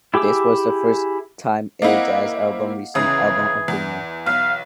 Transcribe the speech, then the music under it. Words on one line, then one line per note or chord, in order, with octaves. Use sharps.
This was the first time a jazz album received Album of the Year.
E4 G4 G#4 D6 E6
A#3 C4 E4 D#5 F5 F#5
G1 C#3 E3 G#4 D#6
E2
B1 F5